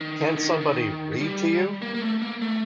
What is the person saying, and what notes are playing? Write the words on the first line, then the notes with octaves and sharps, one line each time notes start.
Can't somebody read to you?
D#3
D#3
D3
D#3
D#3
G3
A#3
A#3
A3
A#3
A3